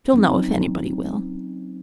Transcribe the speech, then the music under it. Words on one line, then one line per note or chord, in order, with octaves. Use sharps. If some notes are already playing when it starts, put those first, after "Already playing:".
She'll know if anybody will.
F#3 C4 C#4 D#4